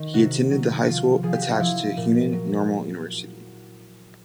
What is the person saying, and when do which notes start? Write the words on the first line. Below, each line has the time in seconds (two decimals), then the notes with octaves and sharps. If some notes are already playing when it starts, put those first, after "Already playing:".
He attended the High School Attached to Hunan Normal University.
Already playing: D#3
0.13 C3 F#4
0.51 F#3
0.87 F3 F4
1.23 F3 G#4
1.33 G4
1.42 F#4
1.51 F4
1.60 F3 E4
1.97 A#2
2.32 F#3